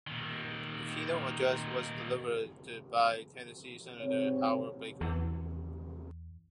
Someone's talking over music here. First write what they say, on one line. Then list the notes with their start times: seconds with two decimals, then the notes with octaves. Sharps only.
The keynote address was delivered by Tennessee Senator Howard Baker.
0.07 A#2 D#3
4.00 G#2 C3 C4 C#5
5.01 E2